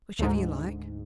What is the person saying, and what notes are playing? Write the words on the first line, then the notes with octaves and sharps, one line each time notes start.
"Whichever you like."
D2 G#2